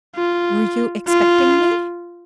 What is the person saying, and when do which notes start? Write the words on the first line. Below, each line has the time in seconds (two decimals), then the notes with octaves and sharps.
"Were you expecting me?"
0.16 F4
1.08 F4